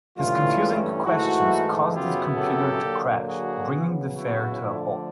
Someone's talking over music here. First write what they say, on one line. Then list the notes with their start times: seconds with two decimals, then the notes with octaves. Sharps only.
His confusing questions cause this computer to crash, bringing the fair to a halt.
0.17 G2 E3 A3 C#4 E4 F4
1.05 G#2 E3 A3 E4 F#4
1.94 F#2 C#3 F#3 B3 E4 F4 G4
2.38 G4 A4
2.82 D3 F#3 A#3
3.27 F#4 G#4
3.71 C#3 F#3 B3
4.15 E4 F#4
4.60 D3 F3 A3 D4